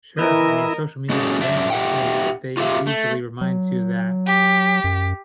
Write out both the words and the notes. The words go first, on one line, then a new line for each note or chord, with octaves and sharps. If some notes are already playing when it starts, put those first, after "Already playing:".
Sure. I mean, social media in general, it it they it easily reminds you that,
E3 E4 A#4 D#5
G#3 A3 C#4 D4 F#4 G#4
F#2 D4 E5
G4 E5 F#5 G5
F4 G4 B4 E5 F5
A3
F#3
G4
F#2